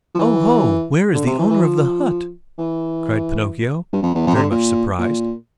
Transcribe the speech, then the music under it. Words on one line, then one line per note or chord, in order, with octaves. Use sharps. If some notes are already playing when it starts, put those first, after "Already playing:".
"Oh--ho, where is the owner of the hut?" cried Pinocchio, very much surprised.
F3
E3
D3
C3
E3
E3
F3
E3
G2
F2
E2
F2
C3
D3
A#2
A#2